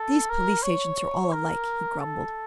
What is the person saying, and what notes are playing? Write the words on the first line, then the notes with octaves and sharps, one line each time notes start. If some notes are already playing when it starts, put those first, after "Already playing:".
"These police agents are all alike," he grumbled.
Already playing: A4
A#4
C#5
A#4
A4